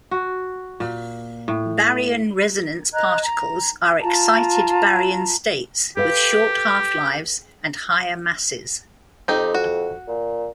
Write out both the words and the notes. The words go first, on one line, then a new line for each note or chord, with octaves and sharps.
Baryon resonance particles are excited baryon states with short half lives and higher masses.
F#4
A#2
A2
D#5 A#5 F#6 G#6
A#5
F4 A5 A#5
G4 A4 B4 F5
F2 C4 D#4 G4
F#4
A#2